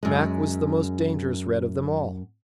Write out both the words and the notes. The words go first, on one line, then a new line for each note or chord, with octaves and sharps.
"Mac" was the most dangerous Red of them all!
F#2 G#3